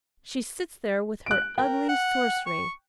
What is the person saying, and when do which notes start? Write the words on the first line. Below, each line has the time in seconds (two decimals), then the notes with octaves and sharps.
She sits there with her ugly sorcery.
1.26 F#6 D7
1.58 A#4 G5
1.89 F#5
2.46 C#6